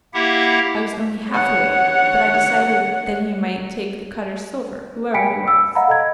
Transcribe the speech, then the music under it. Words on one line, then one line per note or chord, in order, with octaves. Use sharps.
I was only half awake, but I decided that he might take the Cutters' silver, whoever he was.
A#3 E4 G4 E5 F#5
C#5 F#5
G5 G#5 B5 B6 C#7 D7
E6
D#5 F5 F#5 A#5 B5
A4 D#5 G#6